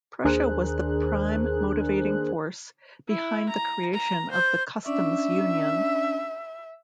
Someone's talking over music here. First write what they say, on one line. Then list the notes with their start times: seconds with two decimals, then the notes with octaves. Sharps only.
Prussia was the prime motivating force behind the creation of the customs union.
0.25 D#2 D4 G#4 A#4 C5 F#6
3.08 E4
3.49 A#5
3.94 A#5
4.31 C5
4.86 C#4 D4 D5 E5